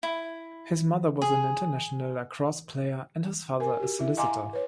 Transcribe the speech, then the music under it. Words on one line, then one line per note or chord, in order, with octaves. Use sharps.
His mother was an international lacrosse player and his father a solicitor.
E4
G#4
A#4 G#5
F#4 G4
E4 E5
D#5 F5 G#5 A#5 C6 D6
B4 C#5